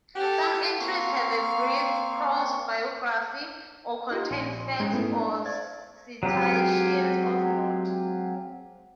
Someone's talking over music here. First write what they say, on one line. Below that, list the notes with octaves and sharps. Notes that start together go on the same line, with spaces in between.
Some entries have a brief prose biography, or contain facts or citations of note.
G4 A4 F#5
A#3 C4 F5 C#6
D#4 F4 G4
A#1 C6 D#7
G#2 G#3 C#4
A3 B3 C#4 E4
D4
C5 D5 F5 G#6 A6
F#3 G#3 C4 F4 G4